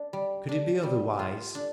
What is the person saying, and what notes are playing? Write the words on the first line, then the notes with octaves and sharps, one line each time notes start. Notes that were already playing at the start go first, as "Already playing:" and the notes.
Could it be otherwise?
Already playing: D4
G3
D4
G3
F4
D4